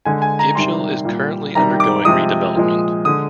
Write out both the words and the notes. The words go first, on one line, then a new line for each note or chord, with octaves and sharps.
Gibshill is currently undergoing redevelopment.
D3 G#3 G#5
G#5
A#5
C3 D#3 G3 C6
A#2 G3
C3 D#3 G3 A#5
D6
C3 F3 G#3 D#6
A#2 F3 G#3
D3 G#3 D#6